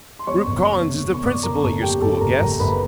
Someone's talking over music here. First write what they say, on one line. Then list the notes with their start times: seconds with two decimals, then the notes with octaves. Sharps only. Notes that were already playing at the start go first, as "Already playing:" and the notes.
"Rupe Collins is the principal at your school, guess."
0.19 C6
0.27 E2 C#5 C#6
0.47 F#1
0.66 E2
0.86 C3
1.05 E2
1.14 C#6
1.23 F#1 D5 D6
1.43 F#1 A#4 A#5
1.63 F#1 A4 A5
1.82 F#1 G4 G5
2.01 F#1 A4 A5
2.20 F#1 A#4 A#5
2.40 F#1 A#4 A#5
2.60 F#1 B4 B5